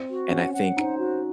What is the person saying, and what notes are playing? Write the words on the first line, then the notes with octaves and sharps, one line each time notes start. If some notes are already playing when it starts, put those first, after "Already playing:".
and I think
Already playing: C4
F#4
C#4 F#5
F#5
D#4 C5
F#4